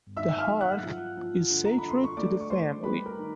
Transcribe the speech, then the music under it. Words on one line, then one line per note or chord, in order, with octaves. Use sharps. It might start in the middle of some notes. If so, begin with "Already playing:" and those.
The hearth is sacred to the family.
D#3 E5 E6
F5 F6
F#3
F#5 F#6
F3
F3
D3
A#5
B5
D3
C6
C#6
A3 D5 D6
C#6
A3 C5 C6
G3 B4 B5
A#4 A#5
D#3